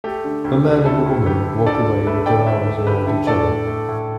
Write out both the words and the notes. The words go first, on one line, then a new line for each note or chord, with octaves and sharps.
A man and a woman walk away with their arms around each other.
A3 G4
D3
D2 G4
A3
D3 E4 A4
D2
D2 G4 B4
D3
D2 A4 D5
D3
A3 B4 E5
D2 D5 G5
D2 B4 E5
A3
D2 G4 B4
D3 E4 A4
A2 A4 D5
A3
A3
A2